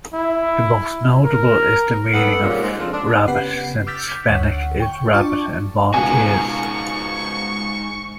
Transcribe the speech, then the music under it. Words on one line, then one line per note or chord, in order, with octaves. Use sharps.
The most notable is the meaning of "rabbit", since "fenek" is rabbit in Maltese.
E4
A#4
G2 B3 A4 F#5
D#2 A#2 C#3 G3
G#2 G#3
F3 C4 D4 A4
D4
C#3 B3 G4 B4 F#5 C7
D6 E6 F6 G6 A6 B6
D2 C#5 F#5
G5 C#6
D4 F4 D5 A5 C#6
C#2 G#2 B2 F#4 G#5 C#6